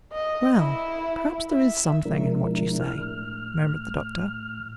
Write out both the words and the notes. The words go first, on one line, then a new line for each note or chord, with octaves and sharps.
"Well, perhaps there is something in what you say," murmured the Doctor.
D#5
E4
E5
B2 F3 G#3 D4 E4 A#4
A2 F6